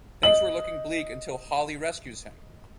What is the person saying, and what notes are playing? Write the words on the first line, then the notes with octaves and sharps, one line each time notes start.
Things were looking bleak until Holly rescues him.
D#5 F#7